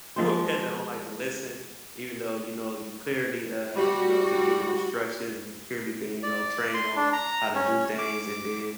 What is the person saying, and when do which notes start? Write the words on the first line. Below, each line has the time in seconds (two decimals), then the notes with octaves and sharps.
you a pet that don't like to listen, even though, you know, you clearly, uh, you know, been giving instructions and you've clearly been, you know, trained on how to do things, and then,
0.16 F3 G#3 C5
3.76 G3 F#4
6.23 D5
6.74 C6
6.96 D4
7.13 A#5
7.55 C#4
7.98 D6